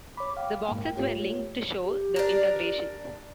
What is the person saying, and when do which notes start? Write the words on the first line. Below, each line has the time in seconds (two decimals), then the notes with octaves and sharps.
The boxes were linked to show the integration.
0.17 C#5 B5 D6
0.37 F5 G5
0.69 G#2 A#3
0.97 A3 F4 G4 C#5
1.84 G4
2.16 D4 A#4